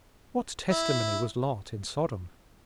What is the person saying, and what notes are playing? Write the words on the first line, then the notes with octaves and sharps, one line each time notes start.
What testimony was Lot in Sodom?
E4